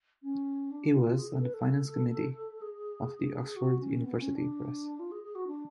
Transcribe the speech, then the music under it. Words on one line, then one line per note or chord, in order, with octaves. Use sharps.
He was on the finance committee of the Oxford University Press.
C#4
D4
F4
G#4
A4
B4
A4
G#4
F#4
C#4
B3
C#4
D4
F4
G#4
G#4
F#4
D4